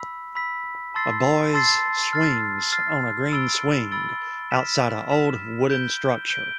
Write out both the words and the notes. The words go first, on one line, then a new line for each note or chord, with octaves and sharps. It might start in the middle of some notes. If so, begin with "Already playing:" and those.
A boys swings on a green swing outside a old wooden structure.
Already playing: B5 E6 B6
B5 E6 B6
A5 C6 E6 A6 C7
A5 C6 E6 A6 C7
F6 A6 C7
F6 A6 C7
B5 E6 A6 D7 G7
B5 E6 A6 D7 G7
F6 B6 E7
F6 B6 E7
G6 D7 G7
G6 D7 G7